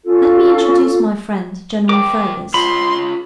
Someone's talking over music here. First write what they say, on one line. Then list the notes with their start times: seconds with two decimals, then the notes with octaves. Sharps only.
Let me introduce my friend, General Fergus.
0.05 C#4 F4 A4
1.89 A#4 C#5 G5 D6
2.54 F4 G#4 C#5 B5 C6